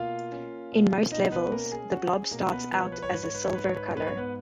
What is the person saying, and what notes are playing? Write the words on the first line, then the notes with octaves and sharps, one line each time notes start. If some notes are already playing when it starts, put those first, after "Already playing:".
In most levels, the blob starts out as a silver color.
Already playing: B2 A#3 F4 F5
C#4
B2
B2 D#4 D#5
B3 B4
B4
A#3 C#4 A#4
G#4
C#4 F#4
G#4
B2 A#3 A#4
B3 B4
F3 B4
C#5
B4
C#5
G#2 B4
C#5
B4
C#5
G#2 B4
C#5
B4
G#2 C#5
B4
C#5
B3 B4